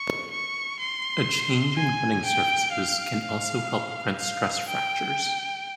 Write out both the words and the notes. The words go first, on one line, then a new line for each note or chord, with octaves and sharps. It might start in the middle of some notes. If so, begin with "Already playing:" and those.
A change in running surfaces can also help prevent stress fractures.
Already playing: C#6
C#6
C6
G#5
G5
F5
F5
G5